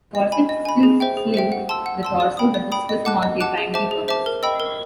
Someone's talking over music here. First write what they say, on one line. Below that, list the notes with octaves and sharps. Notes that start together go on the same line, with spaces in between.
Corsets still slimmed the torso but this was not their primary purpose.
D#5
G#5 B5
D#5
G#5 B5
G#4
C5 E5 G5
G#4
C5 E5 G5
F#5
A5 C6 E6
F#5
A5 C6 E6
D5
G5 B5 D#6
D5
G5 B5 D#6
D#5
F#5 A5 D6 F#6
D#5
F#5 A5 D6 F#6
G#4
C5 E5 A5 D6
G#4
C5 E5 A5 D6
A#4
D#5 G5 B5 E6
A#4